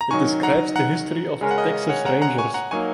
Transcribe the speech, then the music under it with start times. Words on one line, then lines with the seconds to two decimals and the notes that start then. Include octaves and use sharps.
It describes the history of the Texas Rangers.
0.01 A#5
0.11 D#3 F#3 D#4 G#5 C#6
0.43 F#5 A#5
0.76 F#5 A#5
1.41 C#3 G#3 C#4 A#4
1.51 F#5
1.58 D#5
1.73 D#5
1.89 C#5 F#5
2.06 F#5 A#5
2.22 F#5 A#5
2.38 G#5 C#6
2.54 F#5 A#5
2.71 F#3 A#3 D#4 G#5 C#6